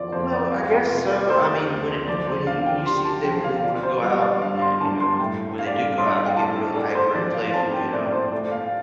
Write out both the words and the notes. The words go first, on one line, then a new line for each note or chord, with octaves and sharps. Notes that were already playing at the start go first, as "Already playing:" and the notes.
uh, well, I guess so. I mean, when it when he when you see that they really wanna go out and, uh, you know, when they do go out, they get real hyper and playful, you know.
Already playing: F2 F3 D5 F5
F2 C5
D5
F4 F5
G5
C3 F5
D5
A3 C5
D2
F3 D5
C5
D4 F5
G5
G4 C6
A5
F3 G5
F5
F4 D5
C5
G3 F5
D5
D4 F5
C6
G2 A5
C6
A2 G5
A3 F5
D5
F5
D4 C6
F5
G5
A2 A5
A4 D5
C5
F3 D5
F5
C4 A5
G5
A2 D5
D5
C5
A3 D5
F5